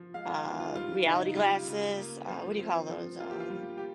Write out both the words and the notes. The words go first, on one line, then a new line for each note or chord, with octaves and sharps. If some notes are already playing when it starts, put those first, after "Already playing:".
uh, reality glasses? Uh, what do you call those? Um,
Already playing: F3
G#3 F5
F5
D#3
F4
G3 F4
C#3 D#4
G3 F4
C#3
A#3
F3
C4
F3
A#3 F4
G4
F4
G3
G4